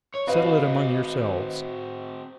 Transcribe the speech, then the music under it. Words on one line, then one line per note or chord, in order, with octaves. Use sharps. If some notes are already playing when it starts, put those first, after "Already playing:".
'Settle it among yourselves.
C#5
C4 F#4 B4 D#5 F5